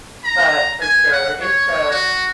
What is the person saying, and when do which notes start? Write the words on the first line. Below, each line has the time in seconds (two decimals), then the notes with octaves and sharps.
but for sure, it's, uh
0.24 A#5
0.81 G#5
1.12 F#5
1.41 C#5
1.91 F#4